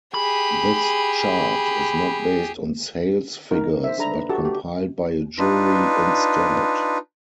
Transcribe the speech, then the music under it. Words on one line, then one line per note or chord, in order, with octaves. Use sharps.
This chart is not based on sales figures but compiled by a jury instead.
G4 G#4 B5
D#4 A#4
C5 E5
D4 G#4 A4 E5 A#5 B5
B4
F#4 G4 A4 A5
G4
D4 D#4 F4 B4